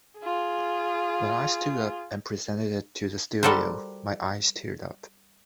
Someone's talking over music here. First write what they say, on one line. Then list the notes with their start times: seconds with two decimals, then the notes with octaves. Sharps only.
When I stood up and presented it to the studio, my eyes teared up.
0.20 F4 G#4
3.43 G3 F#4 A4 A#4 C5